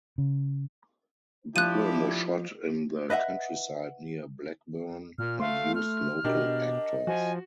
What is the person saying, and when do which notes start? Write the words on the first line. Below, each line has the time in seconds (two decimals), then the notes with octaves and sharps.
The film was shot in the countryside near Blackburn and used local actors.
0.18 C#3
1.56 F3 D4 E4 G4 F#6 D#7
3.10 B4 D#5 E5 F#5
5.18 A#2 F6
5.40 A3 F5 C6
5.75 F6
6.25 B2 D4 G4 A#4 D#5
7.07 F3 F#4 G#5